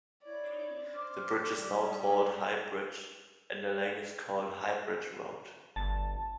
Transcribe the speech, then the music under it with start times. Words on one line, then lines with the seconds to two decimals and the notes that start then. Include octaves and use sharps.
The bridge is now called High Bridge, and the lane is called Highbridge Road.
0.23 E4 C#5 D5
0.95 C5 D6 F6
1.52 G3 G#4
5.76 G1 A5